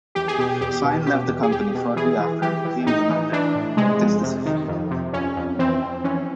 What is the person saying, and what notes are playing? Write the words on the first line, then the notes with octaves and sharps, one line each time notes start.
Fine left the company shortly after he implemented this decision.
E2 G4
G#4
B2 G4
E2 G4
B2
B2 G4
E2
G#4
E2 G4
B2
E3 G#4
E3
E3 G4
E3
A2 D#4
E3
E3 D4
A2
C3 G#3
F2
C3
D#3
F2
C3
F2 C#4
F2
E3 C4
F2
E3 C#4